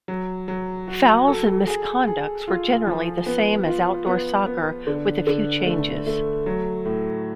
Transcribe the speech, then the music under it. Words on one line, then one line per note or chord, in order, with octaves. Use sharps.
Fouls and misconducts were generally the same as outdoor soccer with a few changes.
F#3
F#3
F#4
A4
G#4
G#4
F4
F3
B3
F4
B3
B3
D3
D3
A3
A3
F#3
A2